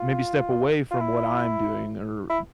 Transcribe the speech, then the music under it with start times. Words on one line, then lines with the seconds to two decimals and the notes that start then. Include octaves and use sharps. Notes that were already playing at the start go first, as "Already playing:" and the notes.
maybe step away from what I'm doing, or
Already playing: F4
0.91 F4
1.00 E4
2.30 E4